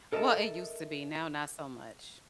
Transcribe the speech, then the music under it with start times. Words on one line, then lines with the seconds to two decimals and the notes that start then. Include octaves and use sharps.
Well, it used to be, now not so much.
0.12 A4 A#4 D#5 E5 F#5 A5